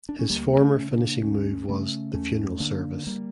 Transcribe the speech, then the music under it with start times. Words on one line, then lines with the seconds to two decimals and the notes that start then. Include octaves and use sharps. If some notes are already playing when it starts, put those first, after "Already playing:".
His former finishing move was the "Funeral Service".
0.09 D4
0.19 C#4
0.29 D2 G3 A#3
0.61 A3 C#4
0.76 C#3
0.91 A#3 D4
1.22 D2 A3 C#4
1.68 C#3 A3 C#4
2.14 E2 A3 C#4
2.60 D3 A#3 D4
3.07 G3 A#3